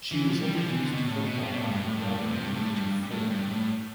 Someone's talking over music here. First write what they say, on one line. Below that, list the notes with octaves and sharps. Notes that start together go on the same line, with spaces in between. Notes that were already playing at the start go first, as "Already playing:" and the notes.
She was introduced to football by her brother at the age of four.
E3
F3
G3
F3
E3
D3
B2
A2
B2
C3
B2
A2
G2
A2
G2
A2
C3
G2
A2
G2
A2
G2
A2